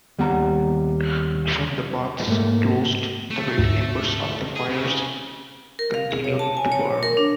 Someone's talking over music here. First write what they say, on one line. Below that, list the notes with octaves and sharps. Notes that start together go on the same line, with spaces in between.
When the baths closed, the red embers of the fires continued to burn.
D#2 G3 B3 F#5 A#5
G#2 A3 A#3
A3
D2 G#2
G#4
C#3
A#4
F5
G#4
C#5
A5
G#5
C#5
A#4
D4